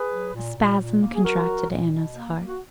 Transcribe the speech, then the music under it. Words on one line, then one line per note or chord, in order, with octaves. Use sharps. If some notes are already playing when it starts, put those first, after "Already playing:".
A spasm contracted Anna's heart.
Already playing: G#4 B4
F#3
A#2
A#2
A#2
A#3
G#4
F#3 F#4 A#4
F#3
A#2
B2
A#3
A#3
F#4